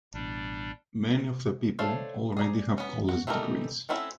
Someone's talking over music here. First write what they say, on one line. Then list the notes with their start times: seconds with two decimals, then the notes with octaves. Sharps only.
Many of the people already have college degrees.
0.14 A1 B2 G3 D4
1.79 A3 D4 C5 C#5 F5
2.37 G#4 D5 A#5
2.78 B3 C#4
3.09 F#4
3.27 E3 G3 A3 D#4 A#4
3.89 A3 C4 C#4 E4 F#4